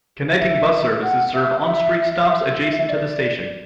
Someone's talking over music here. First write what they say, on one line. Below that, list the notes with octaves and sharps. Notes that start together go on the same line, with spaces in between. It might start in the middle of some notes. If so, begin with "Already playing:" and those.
Connecting bus services serve on-street stops adjacent to the station.
E5
F#5
E5
E5
E5
E5
D5